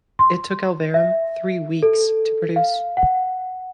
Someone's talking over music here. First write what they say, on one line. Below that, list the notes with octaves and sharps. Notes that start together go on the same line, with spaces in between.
It took Elverum three weeks to produce.
C6
E5
A4
F5
F#5